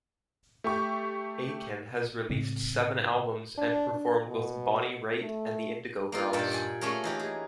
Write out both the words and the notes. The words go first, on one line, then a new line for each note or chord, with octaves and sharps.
Aiken has released seven albums and performed with Bonnie Raitt and the Indigo Girls.
A3 G4 C#6
A2 C#3 G#3 C4
D4
D4
B2
A3
A#3 D#4 F4
G2 A#2 A4 G5 A5
D5 G5 G#5
A3 A#3 C#4 G#4 A#4
E3 D#4 G4
G#4